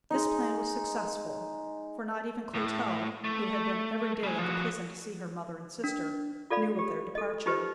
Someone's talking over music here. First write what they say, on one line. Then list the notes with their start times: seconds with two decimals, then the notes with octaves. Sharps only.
This plan was successful; for not even Clotel, who had been every day at the prison to see her mother and sister, knew of their departure.
0.10 G#3 D#4
2.54 A2
3.24 A3
4.23 G3 G#5
4.38 F3 F#4
5.84 D4
6.50 F4 A4 D5 F5 B5
6.79 G4
7.15 A4 D#5
7.46 D#4 F4 G4 B4 C5 D#5